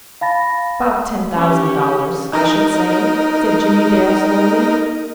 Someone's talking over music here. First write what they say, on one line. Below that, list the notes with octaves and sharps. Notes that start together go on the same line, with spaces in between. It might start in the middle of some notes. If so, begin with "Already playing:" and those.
"About ten thousand dollars, I should say," said Jimmie Dale slowly.
F5 A5 B5 A6 A#6
C#4 G4
D#4 A#4